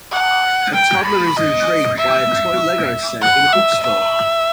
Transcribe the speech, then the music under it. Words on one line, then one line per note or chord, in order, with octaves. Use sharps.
A toddler is intrigued by a toy lego set in a bookstore.
F#5
G5
B5
D#5
E5
F#5
E5
E5